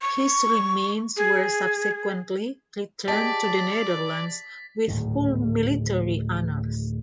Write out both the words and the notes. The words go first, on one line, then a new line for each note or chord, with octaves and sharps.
His remains were subsequently returned to the Netherlands with full military honours.
C#6
G#4
G4 G#4 D5 D#5 A5 A6 B6
D1 G#2 D#3